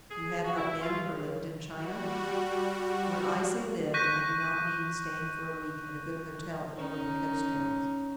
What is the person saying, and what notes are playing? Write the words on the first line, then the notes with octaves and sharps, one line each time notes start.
You have not been or lived in China? When I say lived I do not mean staying for a week at a good hotel in one of the coast towns.
G#4
F#4
E4
F4
C#3
G3 F#4
C#6 F#6 G6 A#6 B6 D#7
C#4 D#4